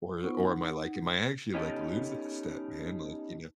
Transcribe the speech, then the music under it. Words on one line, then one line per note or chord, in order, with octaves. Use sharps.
or or am I, like am I actually, like, losing a step, man?" Like, you know?
B3 D#4 F4 C5 F#5 C#6
D#4 F#5
B3 C#4 D#4 G4 A4